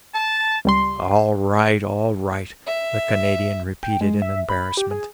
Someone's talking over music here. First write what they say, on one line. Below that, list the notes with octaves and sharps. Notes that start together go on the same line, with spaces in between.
"All right, all right!" the Canadian repeated in embarrassment.
A5
C#2 G3 C6
E5
G5
G#3
E5
B5
G4
G#4